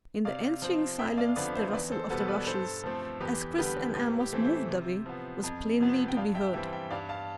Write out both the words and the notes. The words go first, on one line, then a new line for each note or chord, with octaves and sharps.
In the ensuing silence the rustle of the rushes as Chris and Amos moved away was plainly to be heard.
C3 D5 F5
F3 C4
F2 E5 G5
D5 F5
D3 F3 B3 B4 D5
C5 E5
E2 B4 D5
A4 C5
B2 G3 B3 A4 C5
B4 D5
G2 A4 C5
F3 A3 C4
E2 G4 B4
D3 G3 B3 G4 B4
A2 G4 B4
G4
E3 A3 C4
C5 E5
C3
F3 B3
F2
C3 F3 B3
G5
G2 D5 F5
E5 G5
E3 G3 C4 E5 G5
E5 G5
G2 D5 F5
F5 A5